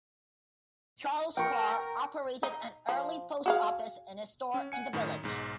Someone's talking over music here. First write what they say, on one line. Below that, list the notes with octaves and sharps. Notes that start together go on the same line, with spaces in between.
Charles Carr operated an early post office in his store in the village.
A#4 G5 C#6
D#4
F3
F#4 G#4 F5
C#4
F#5 G#5 C#7
F#2 A2 D#3
B1 G#2